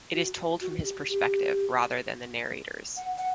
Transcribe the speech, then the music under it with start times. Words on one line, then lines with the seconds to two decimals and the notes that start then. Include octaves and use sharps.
It is told from his perspective rather than the narrator's.
0.14 F#4
0.61 F#4
0.84 G4
1.09 G4
2.97 F#5
3.18 F#5